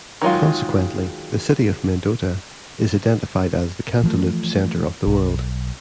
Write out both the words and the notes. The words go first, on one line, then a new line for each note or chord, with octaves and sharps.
Consequently, the city of Mendota is identified as The Cantaloupe Center of the World.
D#3 F#3 G#3 F4
E3 F3 A3
B1